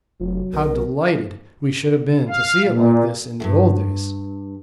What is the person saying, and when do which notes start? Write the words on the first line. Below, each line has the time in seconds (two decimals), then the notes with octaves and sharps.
How delighted we should have been to see it like this in the old days!
0.20 F1 F#3
0.53 B1 A#4
2.29 F5
2.66 A#2
3.40 D2 G2